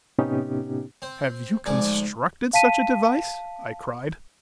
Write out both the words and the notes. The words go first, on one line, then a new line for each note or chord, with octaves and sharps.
"Have you constructed such a device?" I cried.
A2 C3 B3 C#4 D#4 G4
C4 C5
D2 G#2 F3 G#4 D5
F5 A5 B6 D#7